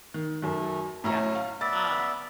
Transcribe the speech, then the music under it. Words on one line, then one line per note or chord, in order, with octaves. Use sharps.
Yeah. Um,
D#3
F#2 D#3 A3
A2 F#3 C#4 E4 A#5
F5
B3 D5 E5 A6